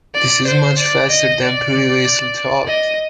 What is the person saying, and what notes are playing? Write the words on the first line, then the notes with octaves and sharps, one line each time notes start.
This is much faster than previously thought.
D5
C5
D5
D#5
D5
D#5